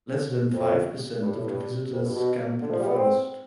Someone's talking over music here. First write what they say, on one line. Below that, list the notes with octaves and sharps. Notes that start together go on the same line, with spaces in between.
Less than five percent of the visitors camp in the forest.
F2
G2
A2
G2
F2
G2
B2
D3
F3
G3
B3
C4